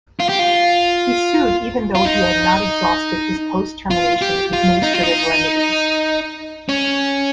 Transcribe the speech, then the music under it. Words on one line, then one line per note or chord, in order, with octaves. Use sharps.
He sued even though he had not exhausted his post-termination administrative remedies.
F4
G4
F4
F4
D#4
F4
G4
F4
D#4
F4
D#4
C#4